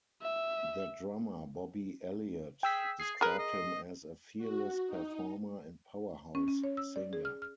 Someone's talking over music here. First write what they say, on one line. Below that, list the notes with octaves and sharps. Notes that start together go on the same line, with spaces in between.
Their drummer Bobby Elliott described him as "a fearless performer and powerhouse singer".
E5
G#4 G5 E6 B6
G#4 C7
G#4 A#4 B4
D#5
F#4
D#4
C#4
C#4
C#5
E6
D5
G#4
F6
F6